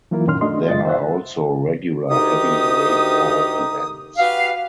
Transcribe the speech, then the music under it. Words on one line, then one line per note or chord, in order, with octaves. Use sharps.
There are also regular heavy rainfall events.
E3 F#3 A#3 E4 F4 A#4
F#2 A#2 D#3 C#4 C6 F6
A3 D4 F#4 D#5 C6
F#2 C#3 G#3 F4 D#5 A6
C5 E5 F#5
D2 D#3 D#4 G4 D#6
F#4 G4 B4 F5